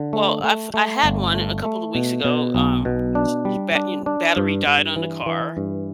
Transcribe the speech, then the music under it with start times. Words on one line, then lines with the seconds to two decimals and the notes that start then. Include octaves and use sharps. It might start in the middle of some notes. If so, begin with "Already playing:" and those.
Well, I've I had one a couple of weeks ago, um, ch um, bat battery died on the car,
Already playing: D3
0.13 A3
0.44 A3
0.74 A3
1.04 G1
1.34 A3
1.65 A3
1.95 B2
2.25 B2
2.55 B1
2.85 B2
3.15 D4
3.45 G3
3.75 D4
4.06 D4
4.37 G2
4.67 G2
4.96 E3
5.26 E3
5.57 G2